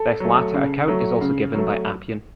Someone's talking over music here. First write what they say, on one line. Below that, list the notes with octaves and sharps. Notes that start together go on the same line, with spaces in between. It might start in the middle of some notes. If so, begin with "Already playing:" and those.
This latter account is also given by Appian.
Already playing: A4
F#3 A3
C#3
F#3 A3
C#3
F#3 A3